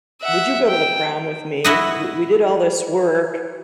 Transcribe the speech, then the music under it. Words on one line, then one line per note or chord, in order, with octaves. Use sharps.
"Would you go to the prom with me? We we did all this work,
E5 F#5
G5
E4 F#4 D#5